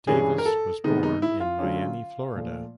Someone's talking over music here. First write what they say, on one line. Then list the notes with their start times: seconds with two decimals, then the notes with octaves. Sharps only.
Davis was born in Miami, Florida.
0.07 G2 E3 G#3 C#4 G#4
0.38 A#4
0.46 A4
0.84 C3 D#3 G#3 B3 D#4
1.03 D#4
1.22 E4
1.40 F4
1.59 D3 F#3 A3 C#4
2.35 A#2 F3 A3